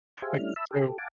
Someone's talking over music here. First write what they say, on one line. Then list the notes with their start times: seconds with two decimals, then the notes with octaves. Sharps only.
Like, so
0.22 G4 G#4 C5 E5 F5 G#5
0.38 G3 A3 C#4 D4 E4 F6
0.56 E5 A5 B5 E6
0.71 G4 A4
0.98 F5 F#5 G#5 A5 D6